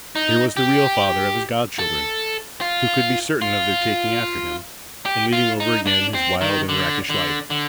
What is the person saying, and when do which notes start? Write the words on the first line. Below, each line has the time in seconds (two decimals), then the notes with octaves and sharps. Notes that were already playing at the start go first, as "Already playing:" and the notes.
Here was the real father of his godchildren, who could be certain of their taking after him, and leading over again his wild and rakish life.
0.16 D#4
0.57 G4
1.79 A4
2.61 F4
3.42 F4
5.06 G4
5.33 F4
5.60 D#4
5.87 D4
6.14 C4
6.41 D#3
6.69 D3
7.10 D3
7.50 D3